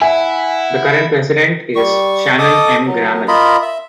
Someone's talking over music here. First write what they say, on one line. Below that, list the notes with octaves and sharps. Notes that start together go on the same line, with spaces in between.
The current president is Shannon M. Grammel.
E4 E5 F#5 G#5
G3 C#6
A4 D#5 D6 D#6
F#3
F4 A#4 D#5 B5
E5